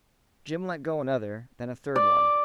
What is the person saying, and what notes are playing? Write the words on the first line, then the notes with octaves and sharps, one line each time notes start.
Jim let go another, then a third one.
D5